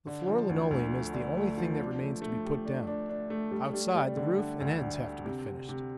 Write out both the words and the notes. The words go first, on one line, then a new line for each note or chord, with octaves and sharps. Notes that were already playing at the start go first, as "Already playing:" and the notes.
The floor linoleum is the only thing that remains to be put down; outside, the roof and ends have to be finished.
D3
F3
D2
D2
A3
D3
A3
F3
D4
A3
A3
G4
D4
D4
D4
A3
G3
G3
G3
D3
D3
D2
D3
D3
C3
C3
C3